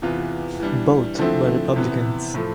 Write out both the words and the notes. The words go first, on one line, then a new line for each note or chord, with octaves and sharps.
Both were Republicans.
E2 C3 E3 B3 F4
E3 G3 D4
D3 F3 A3 C4 E4
C3 E3 B3
A2 F3 A3